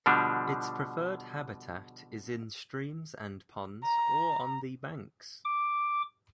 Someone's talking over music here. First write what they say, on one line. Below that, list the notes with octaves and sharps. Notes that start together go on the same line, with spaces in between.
Its preferred habitat is in streams and ponds or on the banks.
B2 D3 F3 G3 D4
A#5
D6